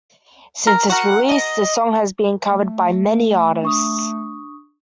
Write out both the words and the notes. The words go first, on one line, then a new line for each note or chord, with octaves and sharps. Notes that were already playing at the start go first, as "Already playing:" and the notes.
Since its release, the song has been covered by many artists.
A#4
F#4 A#4 F#5
D#5
A3
D4 C#6 D#6